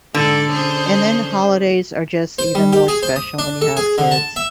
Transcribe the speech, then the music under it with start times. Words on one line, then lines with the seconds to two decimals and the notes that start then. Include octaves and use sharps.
and then holidays are just even more special when you have kids.
0.14 G#2 D3 A4 D5
0.51 C#4 G#4 C5
2.39 C5
2.55 G3
2.73 G4
2.88 G#4
3.03 C5
3.16 D#6
3.39 D4
3.61 A4
3.77 G#4
3.98 D3
4.11 A5
4.36 E5